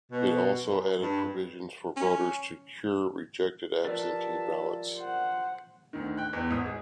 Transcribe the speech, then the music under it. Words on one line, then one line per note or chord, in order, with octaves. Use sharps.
It also added provisions for voters to "cure" rejected absentee ballots.
B2
F#2
G2
C#4
F3 F4 G4 A#4 B4 D5 E5 A5
C5 F#5
D2 D#3
G5 F#6
E2
G#1 D#6
G#4